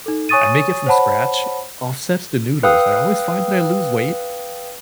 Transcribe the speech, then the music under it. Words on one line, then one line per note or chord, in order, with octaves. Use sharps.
I make it from scratch, offsets the noodles, I always find that I lose weight
D#4 A4
C#5 G#5 C#6 D#6 A6 D#7
C5 C#5 F#5 A5 B5
B4 F5 G5 D#6 E6 F#6